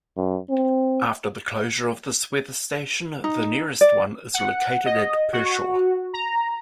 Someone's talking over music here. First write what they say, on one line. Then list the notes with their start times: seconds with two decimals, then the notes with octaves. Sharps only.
After the closure of this weather station, the nearest one is located at Pershore.
0.17 F#2
0.50 C4
3.24 D#4
3.81 D5
4.34 F#5
4.86 D#5
5.33 F#4
6.13 A#5